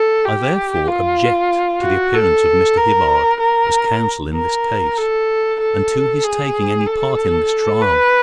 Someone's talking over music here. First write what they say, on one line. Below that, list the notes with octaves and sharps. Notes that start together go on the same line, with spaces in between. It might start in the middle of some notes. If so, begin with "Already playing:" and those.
I therefore object to the appearance of Mr. Hibbard as counsel in this case, and to his taking any part in this trial.
Already playing: A4
G4
F4
F#4
A4
A#4
A#4
A#4
A4
A4
G#4
A4
B4